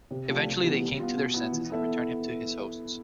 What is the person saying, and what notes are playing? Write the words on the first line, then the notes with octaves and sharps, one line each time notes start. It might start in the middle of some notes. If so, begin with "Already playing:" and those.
Eventually they came to their senses and returned him to his hosts.
C3
F3 A3 D4 G4
C3
E3 G3 B3
G3
B3 F4
B2
B3 E4
E3
B3 E4 A4 E5